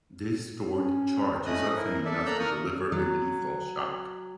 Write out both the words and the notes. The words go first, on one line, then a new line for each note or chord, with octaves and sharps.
This stored charge is often enough to deliver a lethal shock.
C#4
A3 C#4 D#5 D#6 F#6
E4 A#4
A4 D5 E5
A#3 D5 A#5 E6 F#6 G6
A#4 C#6 D#6 F6
F#3